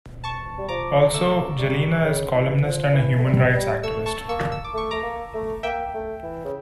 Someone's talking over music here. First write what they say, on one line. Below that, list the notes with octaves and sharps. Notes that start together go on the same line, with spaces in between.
Also, Jelena is columnist and a human rights activist.
A5 C#6
G3
F3 A#5 D6
A3 C#6 E6
G3
C#3
E3
F3
E3
A3
G3
G3
A3 C#6 E6
A5 C#6
A#3 C#6 E6
E6
D6
A3 C#6
A3 A#5 D6
A#3
A3
A#3 E5 G5
A3
E3
C#3